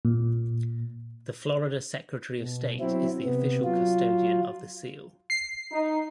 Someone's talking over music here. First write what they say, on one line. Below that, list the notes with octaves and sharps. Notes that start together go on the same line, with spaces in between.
The Florida Secretary of State is the official custodian of the seal.
A#2
B2
F#3 C4 E4
C3 B3
F#3 F4
C7
D#4